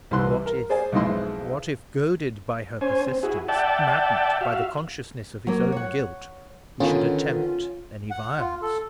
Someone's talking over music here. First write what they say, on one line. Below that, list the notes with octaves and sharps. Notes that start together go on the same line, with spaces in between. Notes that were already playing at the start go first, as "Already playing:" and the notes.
What if--what if, goaded by her persistence, maddened by the consciousness of his own guilt, he should attempt any violence.
C2 E3 C6 F#6
A#4
G#4 C5 D5 G#5
B1 F2 G#2 G#3 E4 C6
C#4 C5 G#5
C4
E4 F#4 G#4
D5 E5 F#5 G5 A5
F#4 E5 F5
F#3 A#3
C#5 F#5
D3 D#3 B3 C#4 F4
F#5
F4
A4